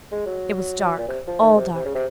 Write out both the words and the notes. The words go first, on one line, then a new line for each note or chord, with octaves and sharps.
It was dark--all dark.
G#3
F#3
A#2
C3
F3
D#3
C3
C3
C#3
C3